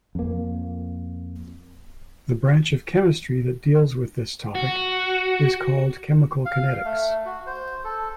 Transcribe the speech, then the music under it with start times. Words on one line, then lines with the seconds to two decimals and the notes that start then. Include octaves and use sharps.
The branch of chemistry that deals with this topic is called chemical kinetics.
0.15 F2 A#3
4.55 F#4
6.46 F5
6.85 A3
7.25 F#4
7.47 C5
7.84 A4